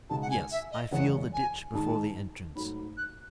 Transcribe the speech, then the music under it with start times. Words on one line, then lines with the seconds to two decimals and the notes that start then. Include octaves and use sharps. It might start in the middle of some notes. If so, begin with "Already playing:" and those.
'Yes, I feel the ditch before the entrance.
0.09 C#2 B2 G#3 D#4 F#4 A5
0.21 F#5
0.30 G#5
0.51 E5
0.71 D#5
0.91 F#1 E2 C#3 G#3 C#4 F#5
1.33 G#5
1.73 G#2 D#3 G#3 D#4 A5
2.56 G#2 F#3 A3 B5
2.97 F#6